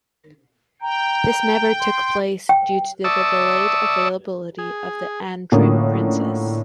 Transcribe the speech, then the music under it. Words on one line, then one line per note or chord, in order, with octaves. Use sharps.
This never took place due to the delayed availability of the "Antrim Princess".
G5 A#5
C6
G5
D5 E5 A5 C#6 D#6 E6
G#4
A2 D3 A#3 C#4 F4 D#6